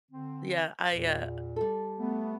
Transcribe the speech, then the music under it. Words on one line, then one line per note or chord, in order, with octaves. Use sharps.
Yeah. I, uh,
D3 C4
E2 A#2
G3 A4
A3 B3